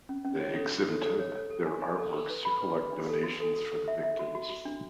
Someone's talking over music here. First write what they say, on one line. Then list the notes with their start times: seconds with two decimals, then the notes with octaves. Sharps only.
They exhibited their artworks to collect donations for the victims.
0.09 C#4
0.25 C#4
0.40 C#5
0.56 A4
0.72 F#4
0.88 A4
1.04 A4
1.19 C#5
1.34 A4
1.50 A4
1.66 G#5
1.83 G#5
1.97 A4
2.13 A4
2.30 B4
2.45 B5
2.61 B4
2.76 B4
2.93 D4
3.09 A4
3.23 F#4
3.40 A4
3.56 A4
3.72 A4
3.88 E5
4.03 E5
4.19 F#4
4.35 F#4
4.50 F#4
4.65 D4